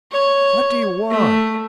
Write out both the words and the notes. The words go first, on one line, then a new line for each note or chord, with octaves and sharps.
"What do you want?"
C#5
A3